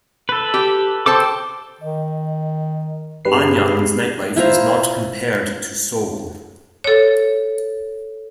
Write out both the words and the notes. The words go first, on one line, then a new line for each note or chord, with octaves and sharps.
Anyang's nightlife is not compared to Seoul.
A4 B4
G4
A4 C5 G5 A5 D6
D#3 D#5
G2 G3 B3 D4 G#4 B4 C7
E4 F4 C5 A#5
A4 C#5